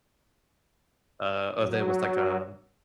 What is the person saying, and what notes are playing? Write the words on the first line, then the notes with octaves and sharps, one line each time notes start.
uh, of it was like a
F#3